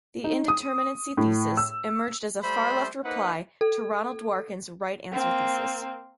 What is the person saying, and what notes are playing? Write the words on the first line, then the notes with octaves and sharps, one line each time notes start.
The "indeterminacy thesis" emerged as a far-left reply to Ronald Dworkin's "right answer" thesis.
D#4
D#6
A2
E6
G3 A3 C5 E5 B5
A#3 D#4 B4 C5 F#5
A4
A#3 C4